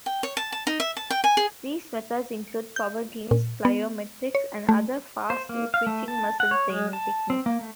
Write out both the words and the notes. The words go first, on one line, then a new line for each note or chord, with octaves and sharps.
These methods include power cleans, plyometrics, and other fast twitching muscle training techniques.
G5
C#5
A5
A5
D#4
E5
A5
G5
G#5
G#4
G6
A#2
B3
C#5
A3
C5
A#3
F5
A3
A5
F#5
C#5
G#3
A5
C4
A#3
A3